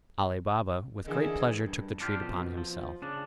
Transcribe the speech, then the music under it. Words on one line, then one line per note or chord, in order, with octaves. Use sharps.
Ali Baba with great pleasure took the treat upon himself.
D3 E3 G#4 A#4 D#5
G2
D4 F4 G4
F2 B2
F3
C#3 D4